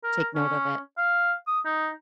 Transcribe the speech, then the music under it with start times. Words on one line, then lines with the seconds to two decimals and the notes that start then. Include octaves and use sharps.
take note of it.
0.04 A#4
0.35 C#4
0.98 F5
1.47 D#6
1.65 D#4